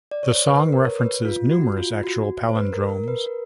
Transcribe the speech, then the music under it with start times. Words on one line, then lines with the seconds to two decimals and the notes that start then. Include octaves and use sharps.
The song references numerous actual palindromes.
0.11 D5
0.23 C#5
0.35 C5
0.47 B4
0.60 B4
0.72 A#4
0.85 C#5
0.99 B4
1.25 F4
1.51 F#4
1.77 F4
2.04 F#4
2.49 C5
2.56 B4
2.72 A#4
2.90 A#4
3.04 A#4
3.08 B4
3.26 A#4